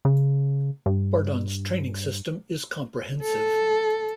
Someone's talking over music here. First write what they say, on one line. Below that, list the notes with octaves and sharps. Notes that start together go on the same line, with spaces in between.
Bardon's training system is comprehensive.
C#3
G2
A4